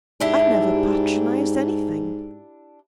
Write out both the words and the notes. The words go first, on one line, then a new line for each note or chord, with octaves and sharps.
I never patronised anything.
G#2 D4 E4 G4